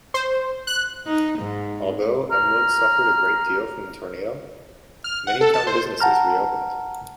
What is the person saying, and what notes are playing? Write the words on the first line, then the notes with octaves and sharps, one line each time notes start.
Although Elmwood suffered a great deal from the tornado, many town businesses re-opened.
C5
F#6
D#4
G#2
A#5 F6
F6
F#5
A4
A5
C5
F#5 A5 A#5 F6